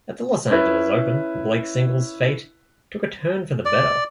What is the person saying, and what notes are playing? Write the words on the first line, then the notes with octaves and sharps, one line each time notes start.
At the Los Angeles Open, Blake's singles fate took a turn for the better.
C#4 E4 B4
D5